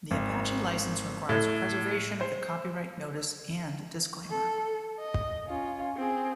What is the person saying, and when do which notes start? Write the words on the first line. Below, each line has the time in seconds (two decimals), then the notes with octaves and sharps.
The Apache License requires preservation of the copyright notice and disclaimer.
0.11 G#1
1.29 A2
2.21 C5
4.30 A4
4.99 D#5
5.48 C#4 F4
5.96 C4 G#4